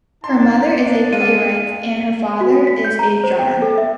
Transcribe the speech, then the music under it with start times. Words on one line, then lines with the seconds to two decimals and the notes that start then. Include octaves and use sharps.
Her mother is a playwright and her father is a drummer.
0.24 D4 D#4 A5 C6
1.13 G#3 F5 D#7
2.41 F#4
2.67 B6
2.84 G6
2.99 A#5
3.24 C5
3.39 G5
3.62 A4
3.78 E5